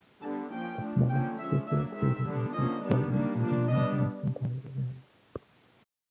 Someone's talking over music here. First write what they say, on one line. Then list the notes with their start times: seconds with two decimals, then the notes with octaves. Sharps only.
A small, circular crater intrudes slightly into the northwestern part of the rim.
0.22 D3 G3 B3 D4 A5
0.52 F3 A#3 C#4 G5
0.80 F3 A3 D4
1.10 D3 F3 A#3 C#4 G5
1.38 F3 G#3 C#4 E5
1.67 F#3 A#3 D4 E5
1.96 D#3 G#3 C4 E5
2.25 D3 G3 B3 D4
2.54 D3 F3 A#3 C#4 D#5
2.83 D#3 G3 B3 D4
3.12 D#3 G3 A#3 D4
3.40 F3 A#3 D4
3.69 G3 B3 D4 D#5